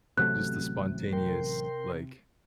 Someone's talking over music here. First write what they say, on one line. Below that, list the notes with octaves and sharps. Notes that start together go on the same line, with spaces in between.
Just the spontaneous, like
A1 C3 F#3 A3 F#6
A#4 G5 C6